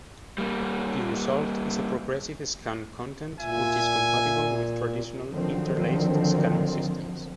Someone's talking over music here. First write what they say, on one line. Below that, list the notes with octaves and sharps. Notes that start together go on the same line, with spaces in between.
The result is a progressive-scan content, which is compatible with traditional interlaced scanning systems.
G3 A#3
A#2 E5 G#5
D3 D#3 F3 F#3 C4